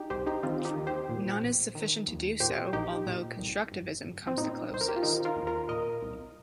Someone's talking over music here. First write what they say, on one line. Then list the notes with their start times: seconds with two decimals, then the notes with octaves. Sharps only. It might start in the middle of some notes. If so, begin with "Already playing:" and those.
None is sufficient to do so, although constructivism comes the closest.
Already playing: D#4 G4
0.10 C2 G4 C5
0.26 D#4 G4
0.43 D#3 C4 F4
0.65 D#4 G4
0.76 D#2
0.87 G4 C5
1.09 A#2
1.42 A#1
1.75 D#3
2.07 D#2
2.40 A#2 G4 C5
2.73 A#1 D#4 G4
3.06 A#2
3.39 C2
3.72 G1
4.05 G1
4.27 C4
4.37 A#2 D#4
4.71 C2 C5
4.81 A#4
4.88 G4
4.96 F4
5.03 D#3 D#4
5.25 F4 A#4
5.36 D#2
5.47 F4 A#4
5.69 A#2 A#4 D#5
6.02 C2